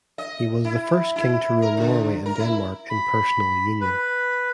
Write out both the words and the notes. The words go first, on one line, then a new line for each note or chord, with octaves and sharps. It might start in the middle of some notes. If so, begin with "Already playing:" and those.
He was the first king to rule Norway and Denmark in personal union.
D#5
E4
E4
A#4
D3
A#4
E4
B5
B4